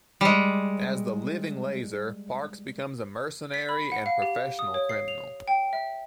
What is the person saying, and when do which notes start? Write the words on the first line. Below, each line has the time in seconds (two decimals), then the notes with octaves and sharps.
As the "Living Laser", Parks becomes a mercenary and professional criminal.
0.21 G3 G#3
3.54 B6
3.69 B5
3.92 F#5
4.06 F5
4.22 G4
4.59 D#6
4.74 C#5
4.89 C7
5.08 F7
5.48 G5
5.73 E5